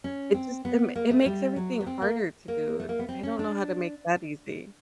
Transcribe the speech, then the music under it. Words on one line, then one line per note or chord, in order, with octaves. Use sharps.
it just it mak it makes everything harder to do and I don't know how to make that easy.
C#4
C4
B3
A#3
A3
G3
F#3
B3
C4
A#3
A#3
A3
A#3
B3
C4
C#4
D4